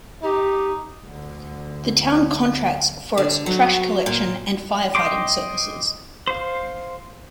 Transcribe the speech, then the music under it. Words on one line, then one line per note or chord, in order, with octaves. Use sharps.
The town contracts for its trash collection and fire-fighting services.
D#4 G4
D2 D3
D3
F#3
A#2
D#5 G5 C6 D6
C5 F5